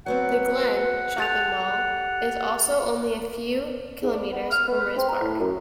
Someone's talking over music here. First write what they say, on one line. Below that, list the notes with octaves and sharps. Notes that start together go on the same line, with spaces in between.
"The Glen" Shopping Mall is also only a few Km from Rispark.
F#3 B3 C4 F#5
G4 A4 F#6 A6 F7
G#2
D5
B3
F6
B3
B4
C4
A#5
A2
F#2